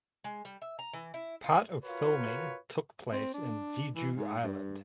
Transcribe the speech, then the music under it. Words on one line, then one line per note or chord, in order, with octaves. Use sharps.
Part of filming took place in Jeju Island.
G#3
G3
E5
A#5
E3
E4
F4
F4 F#4 A#4 B4 C#5 F5
C4
D4
E3
G#2
G2